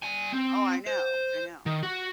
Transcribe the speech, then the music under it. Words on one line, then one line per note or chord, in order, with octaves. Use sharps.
Oh, I know, I know.
G3 G#5
C4
C5
D#3
F#4